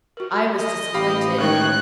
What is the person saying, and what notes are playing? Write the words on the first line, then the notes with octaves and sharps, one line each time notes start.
I was disappointed.
F#4 A#4
D#5
A1 G4 F5 B5
A2 D#3 G#3 C#5 G5 F#6